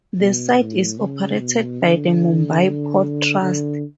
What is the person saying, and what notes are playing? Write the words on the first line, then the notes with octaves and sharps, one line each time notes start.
The site is operated by the Mumbai Port Trust.
B2
A2
C#3
B2
D3
D3